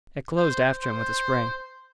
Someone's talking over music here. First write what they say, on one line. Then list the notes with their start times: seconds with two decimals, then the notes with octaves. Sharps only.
It closed after him with a spring.
0.37 C5
0.83 C5